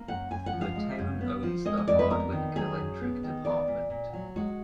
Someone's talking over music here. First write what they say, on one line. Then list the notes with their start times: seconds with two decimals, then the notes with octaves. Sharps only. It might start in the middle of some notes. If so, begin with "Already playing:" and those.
The town owns the Hardwick Electric Department.
Already playing: A#3
0.08 F#2 F#5
0.31 F#2 G#5
0.46 F#5
0.53 F3
0.61 F5
0.75 G#3
0.99 F#2
1.21 B3
1.43 F3
1.65 G#3 D#5
1.77 D#5
1.88 F2 D5
1.99 B4
2.10 B3 A#4
2.32 D#3
2.55 F#3 G#4
2.78 F#2
3.01 B3
3.23 D#3
3.45 B3 D5
3.67 A#2
3.90 A#2
4.13 F#3
4.36 G#3 F#4